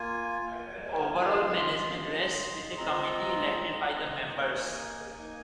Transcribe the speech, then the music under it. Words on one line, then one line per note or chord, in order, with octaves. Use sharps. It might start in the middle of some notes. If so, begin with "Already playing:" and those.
Overall management rests with a committee elected by the members.
Already playing: A#3 F4 G#5
A#3 F4
G#3 F4 C6
G#3 F4
G#3 C4 F4 A#5
G#3 C4 F4
A#3 D#4 G#5
A#3 D#4